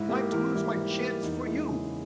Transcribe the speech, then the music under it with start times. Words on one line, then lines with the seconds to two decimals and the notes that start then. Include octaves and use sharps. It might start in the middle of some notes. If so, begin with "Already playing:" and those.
And I'm to lose my chance for you!
Already playing: G#2 E4
0.09 A#3 G4
0.32 E3 A#4
0.55 G3 E4
0.77 G#2
0.89 G4
1.00 A#3
1.23 E2 D#4
1.46 G#3 E4
1.68 C#3 G#4